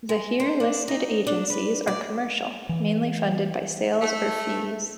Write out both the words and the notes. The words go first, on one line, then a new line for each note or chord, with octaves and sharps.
The here listed agencies are commercial, mainly funded by sales or fees.
G#3
C5
D4
D#4
D4
B4
D5
E3
A3